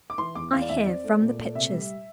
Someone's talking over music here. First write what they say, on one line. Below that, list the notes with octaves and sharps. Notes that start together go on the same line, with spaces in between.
I have, from the pictures.
D6
E3 C6
E2 D6
E2 F5
D5
E2 E5
C4 D5
A3
A#2
A3
C3 E5
G3